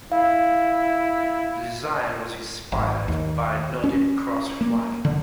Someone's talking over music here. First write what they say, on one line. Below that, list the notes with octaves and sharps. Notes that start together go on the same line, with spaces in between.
The design was inspired by the Nordic Cross flag.
E4 F5
G#1
D#2
C#4
A#3
D3